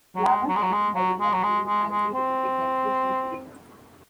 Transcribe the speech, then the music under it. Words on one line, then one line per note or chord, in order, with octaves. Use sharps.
Larva tend to hide among green algae to protect themselves from predators.
F#3
G#3
F#3
G#3
F#3
G#3
F#3
G#3
F#3
G#3
G#3
G#3
C4